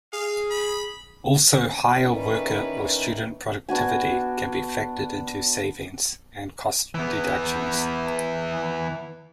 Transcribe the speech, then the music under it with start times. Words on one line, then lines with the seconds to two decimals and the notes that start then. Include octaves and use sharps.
Also, higher worker or student productivity can be factored into savings and cost deductions.
0.13 G#4 F5
0.51 B5
2.01 D#3 C#4 E4 B4 D5
3.69 B3 D4 F#4 G#5
6.95 E3 B3